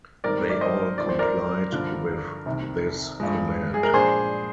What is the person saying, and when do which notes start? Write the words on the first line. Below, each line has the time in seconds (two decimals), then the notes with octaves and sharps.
They all complied with this command.
0.24 G#2 D#3 G3 C4 A#4 D5
0.50 D5
0.61 C5 D#5
0.98 G#2 F3 C4 D5
1.09 C5
1.19 A#4 D5
1.72 G2 D3 F3
2.46 C2 C3 D#3
3.20 G2 F3 G#3
3.74 G#4
3.83 A#4
3.93 A#2 F3 G#3 D4 G#4 C5